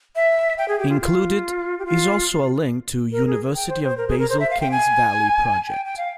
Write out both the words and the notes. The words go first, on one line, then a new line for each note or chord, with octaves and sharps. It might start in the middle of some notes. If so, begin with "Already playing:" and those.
Included is also a link to "University of Basel King's Valley Project".
E5
G5
G#4
G4
F4
F4
G4
F4
A#4
G#4
G5
C5
C5
A#4
G#4
A#4
C5
E5
F5
G5
G#5
G5
G5
F5